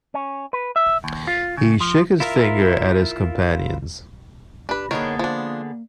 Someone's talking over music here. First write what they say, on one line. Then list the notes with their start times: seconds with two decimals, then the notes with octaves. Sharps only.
He shook his finger at his companions.
0.14 C#4
0.53 B4
0.76 E5
1.04 D#2
1.27 F4
1.57 C#3
1.81 F3
2.20 E4 F4 A#4 E5 F5
4.69 D4 G4 B4
4.91 D3 D#3 A#3 B3 G#4 A#4 C#5
5.19 F3 D4